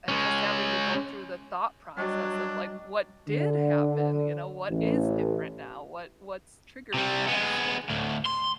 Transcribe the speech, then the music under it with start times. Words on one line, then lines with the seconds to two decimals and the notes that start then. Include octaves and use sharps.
and just having to go through the thought process of, like, "What did happen?" you know, "What is different now? What what's triggering this and"
0.08 G#3 C#4
1.97 F#3 G3 D4 D#5
3.28 D3
4.70 A1
6.94 C3 G3
7.27 G#3 B3
7.90 D2 A2
8.26 C6